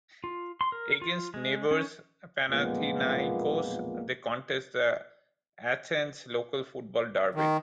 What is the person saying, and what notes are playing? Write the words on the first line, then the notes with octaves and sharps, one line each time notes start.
Against neighbours Panathinaikos, they contest the Athens local football derby.
F4
C6
A#4
F4
G#3
C#4
B1 F2 A#2 G#3 A#3 B3
D#3